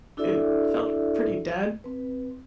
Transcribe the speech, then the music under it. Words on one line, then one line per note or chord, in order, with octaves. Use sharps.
it felt pretty dead.
D4 E4 F#4 A4 D5 E5
C4 B4